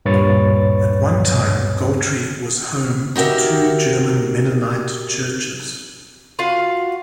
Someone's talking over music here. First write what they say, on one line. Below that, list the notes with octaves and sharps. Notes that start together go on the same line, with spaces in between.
At one time, Goltry was home to two German Mennonite churches.
D2 G2 A#2 B4 C#5 A6
D#4 F#4 G4 A#4 E5
F4 F#4 F5